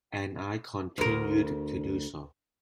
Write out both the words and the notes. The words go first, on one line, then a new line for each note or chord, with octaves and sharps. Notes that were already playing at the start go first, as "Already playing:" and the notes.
And I continued to do so.
D2 A#4